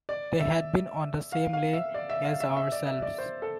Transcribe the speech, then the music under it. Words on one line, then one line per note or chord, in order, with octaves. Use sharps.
They had been on the same lay as ourselves.
D5
E5
F5
F5
E5
D5
E5
F5
E5
E5
D5
E5
D5
C5
A4